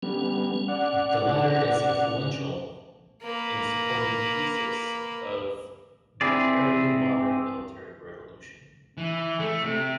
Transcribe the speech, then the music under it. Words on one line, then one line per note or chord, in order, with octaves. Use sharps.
The letter is influential in supporting the thesis of the early-modern Military Revolution.
G3 B3 C#4
D5 F#5
A#3 B4
C4 E4 G#4 D5
E3
A3
C3